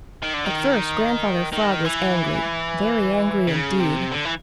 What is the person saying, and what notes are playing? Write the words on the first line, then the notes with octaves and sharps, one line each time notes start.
At first Grandfather Frog was angry, very angry indeed.
D#3
D3
D#3
D#3
E3
C#3
C3
D3
E3